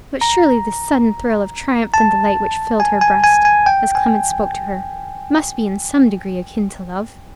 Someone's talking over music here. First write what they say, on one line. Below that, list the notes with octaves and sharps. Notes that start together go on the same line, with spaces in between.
But surely this sudden thrill of triumph and delight which filled her breast, as Clement spoke to her, must be in some degree akin to love.
A#5
A5
G#5
G#5
G#5
G#5
G5
G#5